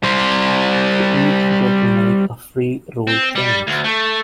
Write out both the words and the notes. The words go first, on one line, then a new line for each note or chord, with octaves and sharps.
The each get to make a free rule change.
G3 C5
C4
G3
D2
A3